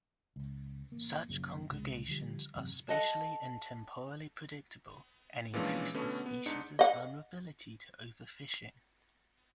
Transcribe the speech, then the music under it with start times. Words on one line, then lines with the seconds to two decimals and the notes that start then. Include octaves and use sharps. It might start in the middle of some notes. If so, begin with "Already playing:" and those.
Such congregations are spatially and temporally predictable and increase the species' vulnerability to overfishing.
0.36 C#2
0.92 A1 A#3
1.28 A#1 F#2 A#2 C#3
1.70 C2 G#2 C#3 G#3
2.08 D3 F3 G3
2.55 A1 F#2 C3
2.89 A4 D#5 F#5
5.53 A#2 E3 F3 G#3 C#4 D4
5.94 B2 D3 A3 B3 C#4
6.26 B3
6.46 G#2 D4 D#4 C#7
6.79 D#5 F#5